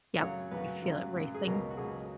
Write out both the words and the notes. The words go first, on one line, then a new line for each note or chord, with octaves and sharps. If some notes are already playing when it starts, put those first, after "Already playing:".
Yep. You feel it racing?
F#2 C#3 F#3 C#5
F#2 C#3 F#3 B4
F#2 C#3 F#3
F#2 C#3 F#3
G#4
C#2 B2 F#3 A#4
F#4
C#2 B2 F#3 G#4